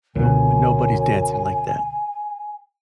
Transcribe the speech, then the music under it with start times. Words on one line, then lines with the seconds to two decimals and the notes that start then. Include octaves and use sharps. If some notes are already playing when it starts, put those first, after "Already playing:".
No nobody's dancing like that.
0.15 C#2 F#2 B2 D3 G#5